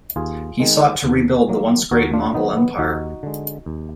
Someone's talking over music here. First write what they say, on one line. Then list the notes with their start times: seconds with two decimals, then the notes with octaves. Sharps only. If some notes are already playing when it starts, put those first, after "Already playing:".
He sought to rebuild the once great Mongol Empire.
0.16 D#2 F4 G#4
0.60 D#3 G#3
1.03 D#2
1.47 D#3 F#3 A#3
1.91 D#2 F#4 A#4
2.13 D4 F4
2.34 D#3 F#3 A#3 B3 D#4
2.57 B3
2.79 D#2 D#4 F#4
3.23 D3 G#3
3.66 D#2